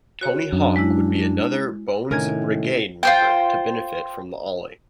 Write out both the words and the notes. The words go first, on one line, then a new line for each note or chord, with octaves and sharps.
Tony Hawk would be another Bones Brigade member to benefit from the ollie.
F#4 C#5
F#2 D4
G#3 E4
A2 C3 D#3 C#4 A#4 G#5 G#6
F4 C5 G5